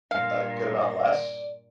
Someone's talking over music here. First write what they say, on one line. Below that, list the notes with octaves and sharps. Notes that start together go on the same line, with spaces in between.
a good amount less
G2 A#2 F5
D5